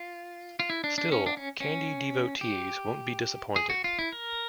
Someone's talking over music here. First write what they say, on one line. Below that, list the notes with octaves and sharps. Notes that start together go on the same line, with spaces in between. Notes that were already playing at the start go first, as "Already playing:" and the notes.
Still, "Candy" devotees won't be disappointed.
Already playing: F4
F4
E4
D4
D4
C#4
D4
C#4
C#4
G4
G#4
F#4
F4
E4
A#4